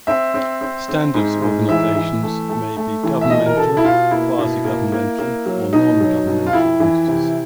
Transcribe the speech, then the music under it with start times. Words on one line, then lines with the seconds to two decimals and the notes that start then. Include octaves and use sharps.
Standards organizations may be governmental, quasi-governmental or non-governmental entities.
0.07 C4 E5
0.34 C4
0.61 C4
0.88 C4
1.14 G#2
1.42 G#2
1.69 E3 E5
1.95 E3
2.23 A3
2.49 A3
2.77 A3
3.03 E3
3.21 E5
3.30 B2 D#5
3.46 A#4
3.57 B2 A4
3.77 E4
3.84 B2 F4
4.11 A#3 E4
4.39 B2
4.65 A#3
4.92 A#3
5.19 A#3
5.46 F#3
5.73 B2 D#4
6.00 F#3
6.27 B2
6.46 F4
6.53 F2 E4
6.80 E3
7.07 C3